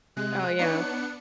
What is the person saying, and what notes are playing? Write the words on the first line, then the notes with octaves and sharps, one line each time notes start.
Oh, yeah.
C3 G#3 F#6
B3 D4 D#4 C#5 C#7